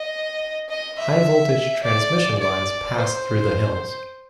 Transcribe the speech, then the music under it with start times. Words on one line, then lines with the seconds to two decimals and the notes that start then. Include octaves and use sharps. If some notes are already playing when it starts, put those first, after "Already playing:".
High-voltage transmission lines pass through the hills.
Already playing: D#5
0.69 D#5
0.98 E5
1.83 D5
2.39 D5
2.96 C5